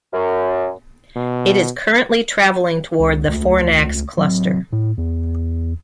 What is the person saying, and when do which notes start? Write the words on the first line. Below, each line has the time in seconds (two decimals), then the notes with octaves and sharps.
It is currently traveling toward the Fornax cluster.
0.13 F#2
1.16 B2
2.99 C#2
3.28 C#2 A3
4.18 F#3 C4
4.72 A2
4.97 E2